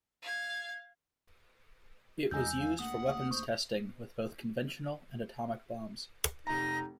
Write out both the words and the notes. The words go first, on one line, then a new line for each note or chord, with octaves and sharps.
It was used for weapons testing with both conventional and atomic bombs.
F5 G#6
E2 G#3 D#4 G#5 E6 G6
F5
D2 A3 A#3 F#5 D#6
D#6
C5 C#6
F1 D#4 A#5 A#6